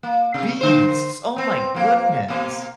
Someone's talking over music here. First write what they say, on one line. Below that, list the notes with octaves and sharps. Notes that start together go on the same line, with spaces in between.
beasts. Oh my goodness.
A#3
C3
D3 C5
B3 C4
F2 A#3
B2 A#3